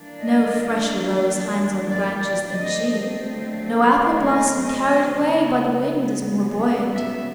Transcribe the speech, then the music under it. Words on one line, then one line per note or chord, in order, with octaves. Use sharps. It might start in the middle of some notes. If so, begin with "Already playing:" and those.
No fresher rose hangs on the branches than she; no appleblossom carried away by the wind is more buoyant!
Already playing: E3 G3 A#3 D4
D#5
D5
D5
D3 F#3 A3 C4 D#5
D5
D#5
D#5
C#3 F#3 B3
E5
E5